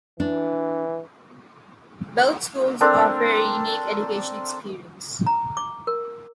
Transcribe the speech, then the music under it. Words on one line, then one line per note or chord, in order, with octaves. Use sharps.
Both schools offer a unique education experience.
E3 D4
C4 D4 A4 A#4
A#5
D6
A#4